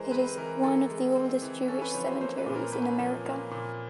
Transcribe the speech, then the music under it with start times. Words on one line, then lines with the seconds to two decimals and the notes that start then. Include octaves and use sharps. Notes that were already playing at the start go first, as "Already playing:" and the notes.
It is one of the oldest Jewish cemeteries in America.
Already playing: E3 G#3 A#4 C5
0.11 C4 B4
0.29 B4
0.37 E3 A#4
0.63 E3 A4
0.90 G#3
1.15 C4
1.42 E3
1.68 C#4 A4
1.82 B4
1.94 F3 C#5
2.07 C5
2.21 A#3 C5
2.38 B4
2.46 A#2
2.55 A#4
2.72 C#4 B4
2.99 F3
3.25 A#3
3.51 A#2